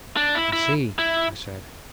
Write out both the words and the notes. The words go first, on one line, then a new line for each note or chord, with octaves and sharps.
"I see," I said.
D4
E4
E4
E4